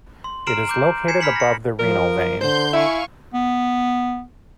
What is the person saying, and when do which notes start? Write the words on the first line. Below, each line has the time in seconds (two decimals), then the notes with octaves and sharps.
It is located above the renal vein.
0.24 C6
0.47 A#5 F6 C7 D7 E7 F#7
0.68 A#5 D6 G6
1.08 G#5 G#6 C7 C#7 E7
1.21 B5 F6 B6 C#7 F#7
1.36 A#6 C#7
1.79 F3 A#4
2.41 D3 C5 C6 G6
2.73 E4 E5 F5 G#5 C#6
3.34 B3